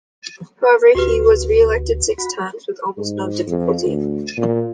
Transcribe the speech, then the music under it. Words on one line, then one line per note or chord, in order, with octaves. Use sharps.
However, he was reelected six times with almost no difficulty.
D2 F#4 G4 B4
F#4 B5
G#2
F2
D2
A#2